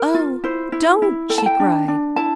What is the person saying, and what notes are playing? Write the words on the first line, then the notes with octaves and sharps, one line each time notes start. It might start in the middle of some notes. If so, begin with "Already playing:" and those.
"Oh, don't!" she cried.
Already playing: A#4
F4
E4 C5
E4
E4
A4 G5
A5
G5
D4
D4
E4 A5